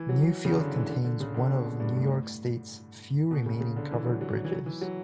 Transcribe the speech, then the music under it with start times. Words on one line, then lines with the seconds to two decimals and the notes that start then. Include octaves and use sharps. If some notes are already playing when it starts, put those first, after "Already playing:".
Newfield contains one of New York State's few remaining covered bridges.
Already playing: E3
0.09 F#3
0.45 C#3
0.59 D3
0.74 E3
0.89 D3
1.05 D3
1.20 C#3
1.34 D3
1.50 B2
1.80 G2
1.96 A2
3.31 B2
3.46 C#3
3.61 C#3
3.76 D3
3.92 E3
4.06 F#3
4.21 F#3
4.45 E3
4.52 F#3
4.66 E3
4.81 F#3